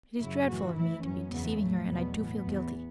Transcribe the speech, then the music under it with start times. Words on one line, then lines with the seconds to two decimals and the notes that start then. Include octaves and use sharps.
It is dreadful of me to be deceiving her and I do feel guilty.
0.18 F#2 C#3 F#3 E4
0.47 A2 E3 F#4
0.75 A2 E3 E4
1.04 F#2 F#3 C#4
1.32 E2 C#3 E3 B3
1.60 A2 F#3 A3
1.89 E2 B2 F#3 B3
2.17 A2 E3 B3
2.46 E2 E3